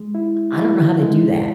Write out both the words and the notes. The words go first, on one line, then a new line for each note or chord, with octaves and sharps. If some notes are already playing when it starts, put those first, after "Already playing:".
I don't know how they do that.
Already playing: G#3
E4
E4
G#3